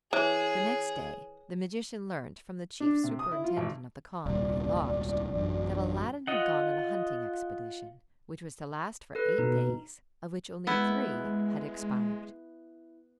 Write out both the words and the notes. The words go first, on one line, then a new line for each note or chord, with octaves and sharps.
The next day the magician learnt, from the chief superintendent of the khan where he lodged, that Aladdin had gone on a hunting expedition, which was to last for eight days, of which only three had expired.
E3 G#4 C#5
D4
C3
D#6
E4
F4
G#1
D#1 C2 D5
A1 F#2
F4 D#5 F#5
A4 B4
B2 D#4
G#3 B3 E4